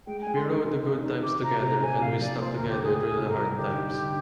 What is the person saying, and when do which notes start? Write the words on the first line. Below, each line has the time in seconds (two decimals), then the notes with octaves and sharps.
We rode the good times together, and we stuck together through the hard times.
0.06 G#3 G5
0.21 G#5
0.27 G#3
0.36 C6
0.45 D#4
0.65 C3
0.84 D#3
1.04 D#4
1.23 C3 D6
1.42 C3 A#5
1.62 C3 A#5
1.81 C3 G#5
2.00 C3 F5
2.20 F3 D5
2.39 A#3 C5
2.54 D2 A#4
2.69 G4
2.78 D2
2.84 G#4
2.98 D2 G#4
3.18 C3
3.27 A#4
3.37 G3
3.56 D3 G4
3.75 D#4
3.95 D3